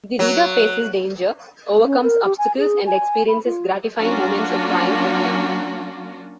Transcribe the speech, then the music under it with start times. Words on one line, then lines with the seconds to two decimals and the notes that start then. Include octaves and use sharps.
The reader faces danger, overcomes obstacles, and experiences gratifying moments of triumph with him.
0.19 F#3
1.86 C#4
2.03 A#4
2.24 G4
2.38 G#5
2.57 G#4
2.86 G#5
3.28 B5
3.44 F4
3.99 F#3 A#3 C#4 D4 F4 F#4